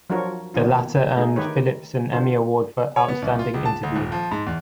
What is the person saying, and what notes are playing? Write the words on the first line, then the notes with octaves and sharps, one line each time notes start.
The latter earned Phillips an Emmy Award for Outstanding Interview.
F3 F#3 D4 F#4 A#4 C#5
D#3 A#3 B3 D#4 F4
A3 D#4 G#4
D3 D#3 D#4 G4 B4 C#5
D3 F4 C5
C#5
B3
C2
F4
C#2
A5
D2
D#1
F3
G#2
E2